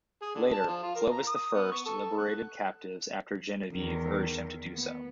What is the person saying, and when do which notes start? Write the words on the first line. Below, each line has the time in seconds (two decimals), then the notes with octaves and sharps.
Later, Clovis I liberated captives after Genevieve urged him to do so.
0.22 G#4
0.35 D3
0.52 A5
0.67 F3
0.83 F4
0.95 A#4
1.10 A#5
1.27 D#6
1.54 B3
1.72 C#6
1.86 A4
2.18 F#5
3.73 E2 D#3
4.74 B3